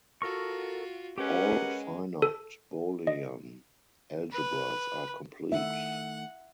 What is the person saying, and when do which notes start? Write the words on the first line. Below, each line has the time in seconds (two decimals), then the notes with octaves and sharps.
All finite Boolean algebras are complete.
0.22 F4 F#4 A4 A#4 C#6
1.18 G#3 C#4 G4 A#4 B4 F#5
2.22 A4
3.07 D#5
4.32 B4
5.52 D#3 A3 E5 F#5